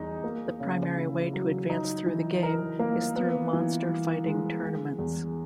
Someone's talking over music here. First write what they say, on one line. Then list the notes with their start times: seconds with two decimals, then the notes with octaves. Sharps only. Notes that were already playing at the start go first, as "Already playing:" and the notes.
The primary way to advance through the game is through monster fighting tournaments.
Already playing: E2 D#4
0.24 A#3
0.60 C#3
0.97 E4
1.33 F#3
1.70 D#4
2.06 E3
2.43 A#4
2.79 A#3
3.16 B3
3.53 E3
3.89 E3
4.26 G#3
4.62 G#3
4.99 E2